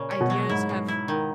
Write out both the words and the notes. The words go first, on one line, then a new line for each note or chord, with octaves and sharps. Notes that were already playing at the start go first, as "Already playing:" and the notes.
ideas have
Already playing: A#2 C#3
C#4
B2
F#3
G#2 E4
B2
E4
D#3